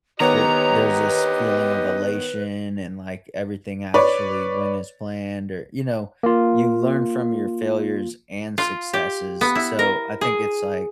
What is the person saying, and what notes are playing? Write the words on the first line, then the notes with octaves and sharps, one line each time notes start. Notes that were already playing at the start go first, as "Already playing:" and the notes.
there there's this feeling of elation and, like, everything actually went as planned or you know, you learn from your failures and successes. So, I think it's, like,
D#3 B3 G4 B4 C#5 D#5 A#5
B4 C#5 D5
A#3 F4
F4
G4
B3
E4
A#4
G#4